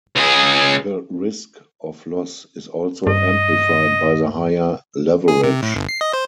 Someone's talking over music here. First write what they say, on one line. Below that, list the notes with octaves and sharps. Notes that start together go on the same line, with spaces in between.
The risk of loss is also amplified by the higher leverage.
C#2 G#4
G2 D#5
G#4
C3
A2
G1
C7
D#5
C5